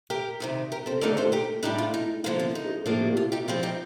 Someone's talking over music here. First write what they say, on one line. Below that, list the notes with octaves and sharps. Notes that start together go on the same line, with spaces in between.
Many others used the meeting rooms for regular groups.
G4 A#4
D2 C3 D#3
G4 A#4
A4 C5
D#2 D3 A3 D#4 A#4 D5
A4 C5
G4 A#4
A2 G3 D4 D#4 G4
F4
D#4
D3 F3 A#3 F4
F4
D#4
A2 F3 A#3 D4
F4
D#4 G4
G2 F3 C4 F4
D#4 G4